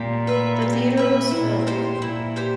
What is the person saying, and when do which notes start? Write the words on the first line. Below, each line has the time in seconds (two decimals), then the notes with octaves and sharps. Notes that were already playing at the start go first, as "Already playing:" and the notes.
The theater was filled.
Already playing: A#2 G4
0.27 B4 E5
0.62 G4
0.97 B4 E5
1.31 A#2 E4
1.67 G4 C5
2.01 A#2 E4
2.36 G4 C5